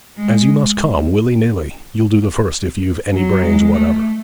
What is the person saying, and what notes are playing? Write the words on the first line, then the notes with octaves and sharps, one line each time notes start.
As you must come, willy-nilly, you'll do the first if you've any brains whatever.'
G#3
F#3
G#3
A3